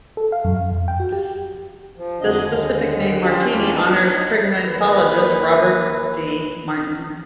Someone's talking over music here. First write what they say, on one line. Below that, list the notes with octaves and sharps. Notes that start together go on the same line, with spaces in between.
The specific name, "martini", honors primatologist Robert D. Martin.
A4
F5
F#2
F5
F2
G5
F#4
G4
F3
F2 D3 F#3 D4 D#5
D#2 D3 G#3
C#4 D4 F4 G4 C5
E2 G3 C#4 F4 D5 A5
D4 D#4 B4
D#2 A#4 B4